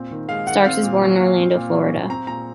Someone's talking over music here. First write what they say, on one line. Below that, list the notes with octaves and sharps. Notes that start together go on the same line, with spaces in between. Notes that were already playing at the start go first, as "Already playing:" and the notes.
Starks was born in Orlando, Florida.
Already playing: A#2 C4
D#3
G#3 F5
D#3 F#5
C4 F5
A#2
F#3
A#2
C4
A#2
F#3
A#2
C4 A#5
A#2 A#5